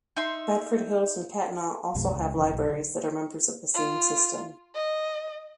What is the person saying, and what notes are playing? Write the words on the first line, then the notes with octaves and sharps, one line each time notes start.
Bedford Hills and Katonah also have libraries that are members of the same system.
D#4 E5 C6
B1 F2 B2 G#3
C#2
F1 C#3 E3
B1
D3
F4
D#5